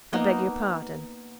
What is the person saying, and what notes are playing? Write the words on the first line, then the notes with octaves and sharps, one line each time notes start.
I beg your pardon.'
A#3 B3 D#4